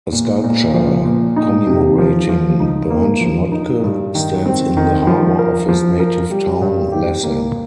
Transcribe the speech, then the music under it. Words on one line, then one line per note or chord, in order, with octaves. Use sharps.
A sculpture commemorating Bernt Notke stands in the harbour of his native town Lassan.
A#2
A#2
F3
A#2
D#4
C3
F3
F3
D#4
A#3
F3
D#4
G2
D#3
C4
D#3
F3
A#4
F3
A#4
G3
G2
G4
A#3